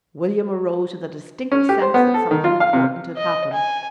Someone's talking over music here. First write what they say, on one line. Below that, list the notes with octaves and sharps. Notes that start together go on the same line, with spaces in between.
William arose with a distinct sense that something important had happened.
C#4
G4
C5
B3
A4
D#3
F4
F5
C3
D#5
G#5